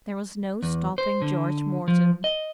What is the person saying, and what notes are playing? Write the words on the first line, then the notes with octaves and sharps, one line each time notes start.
There was no stopping George Morton.
E2
C5
D3
F3
D#5